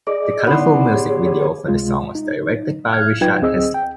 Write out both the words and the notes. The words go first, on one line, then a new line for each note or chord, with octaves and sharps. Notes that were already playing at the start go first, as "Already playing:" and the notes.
The colorful music video for the song was directed by Richard Heslop.
G#4 D5 D#5
B3 D#4 E4 C6
G4 G#4 C#5
C#2 C3 G#3 F4
D#4
F6 F#6 G#6
F#3 D#4 F4 B4 G5 G#6
D2 C4 G#4 D#5 E6
G5